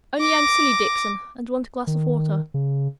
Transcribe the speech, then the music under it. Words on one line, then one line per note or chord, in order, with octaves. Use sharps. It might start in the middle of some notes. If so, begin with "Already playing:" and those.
Only I'm silly, Dixon, and want a glass of water.
D6 A#6
D#3
C#3